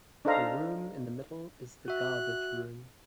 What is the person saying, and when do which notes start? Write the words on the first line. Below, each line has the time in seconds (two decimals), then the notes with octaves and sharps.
The room in the middle is the garbage room.
0.25 D4 D#4 A4 C5 F5 A#5
1.88 F#4 E5 F#6